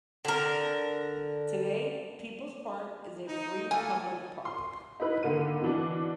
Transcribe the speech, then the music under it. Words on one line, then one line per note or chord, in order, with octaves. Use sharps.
Today, People's Park is a free public park.
D3 A#4
D#4
A3 A#3 A4 G#5
C6
D#4 E4 B4
D3 D#3 A#3 D#7
B2 E3 D4